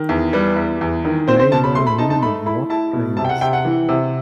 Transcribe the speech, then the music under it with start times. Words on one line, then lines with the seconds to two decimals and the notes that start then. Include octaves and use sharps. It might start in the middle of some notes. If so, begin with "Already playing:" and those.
Play my Women of Rock playlist.
Already playing: D#3
0.09 E2
0.33 G3 B4
0.56 E2
0.81 E2
1.05 D#3
1.28 C4 C5
1.40 C5
1.52 B2 A5
1.64 B5
1.75 A3 C6
1.87 B5
1.98 D#4 A5
2.10 A5
2.22 A3 B5
2.46 E4 B5
2.70 E4 A5
2.93 B2
3.17 C3 A5
3.25 G5
3.29 F#5
3.41 C3 G5
3.53 F#5
3.65 E3
3.89 C3